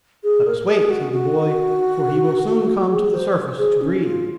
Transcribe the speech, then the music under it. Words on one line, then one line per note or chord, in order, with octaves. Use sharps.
"Let us wait," said the boy, "for he will soon come to the surface to breathe."
G#4
A#4
G#4
F#4
F#4
G#4
C5
G#4
C#4
F4